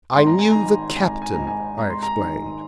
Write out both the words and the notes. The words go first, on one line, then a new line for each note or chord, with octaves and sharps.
"I knew the captain," I explained.
G#1 C6
A#5
G#5
D#3 A#5
G#1 G#5
A#5
G#5
G#2 A#5
G#5
G#1 A#5
C6
A#5
D#3